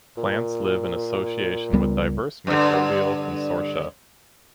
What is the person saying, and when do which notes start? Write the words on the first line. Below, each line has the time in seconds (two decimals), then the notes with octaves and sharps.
Plants live in association with diverse microbial consortia.
0.17 A#2
1.73 C#2 G3 B3
2.47 G2 D3